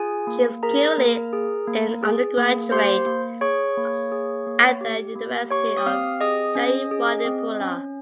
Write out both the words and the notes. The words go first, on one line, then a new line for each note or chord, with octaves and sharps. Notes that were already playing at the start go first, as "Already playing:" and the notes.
She is currently an undergraduate at the University of Jayewardenepura.
Already playing: F4 G#4 G#5
A#3
G#4 A#4 A#5
A#3
G#4
A#3
G#4
A#3
G4 C5 C6
A#3
G#4 C#5 C#6
A#3
G#4
A#3
G4
A#3
G4 C#5 C#6
D#6
C4 F5 F6
G#4 D#5 D#6
C#4
G#4
C4
C#4